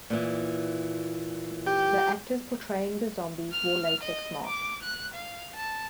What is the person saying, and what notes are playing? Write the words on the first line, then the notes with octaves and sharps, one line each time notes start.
The actors portraying the zombies wore latex masks.
A#2 E3
G4
F6
D#5
D6
F#6
F5
A5